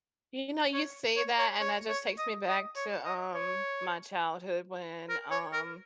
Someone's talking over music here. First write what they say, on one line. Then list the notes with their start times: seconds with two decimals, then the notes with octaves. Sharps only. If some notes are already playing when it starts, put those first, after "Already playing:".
You know, you say that, and that just takes me back to, um, my childhood when, um
0.74 C#5
1.17 C#5
1.39 C#5
1.60 C#5
1.89 C#5
2.18 D#5
2.48 D#5
2.76 C#5
3.05 D#5
3.34 C#5
5.09 A#4
5.31 C#5
5.53 A#4